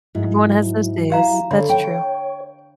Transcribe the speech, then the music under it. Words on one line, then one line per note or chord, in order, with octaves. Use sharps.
Everyone has those days. That's true.
G#2 F#3 E4
G4 F5 A#5
D3 C#5 B5
G5